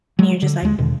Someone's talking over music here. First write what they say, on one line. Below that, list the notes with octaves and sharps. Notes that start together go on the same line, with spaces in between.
And you're just like,
F#3 G#3
D3
D#2 G#3
E2 B2 D3 D#3